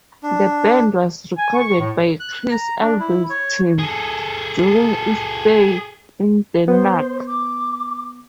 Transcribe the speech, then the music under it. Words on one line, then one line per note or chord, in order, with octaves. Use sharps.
The band was recorded by Chris Albertson during its stay in Denmark.
D4
G#5
C#6
A2
F#6
A#5
D4
E4
C#5
G#4 A4
B3 C5
D6